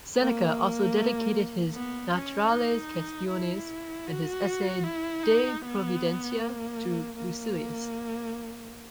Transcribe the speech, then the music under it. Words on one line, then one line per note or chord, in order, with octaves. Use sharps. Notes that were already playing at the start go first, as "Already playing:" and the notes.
Seneca also dedicated his "Naturales Quaestiones" and his essay "De Providentia" to Lucilius.
A#3
B3
C#4
D#4
E4
F#4
E4
D#4
B3
A#3
A#3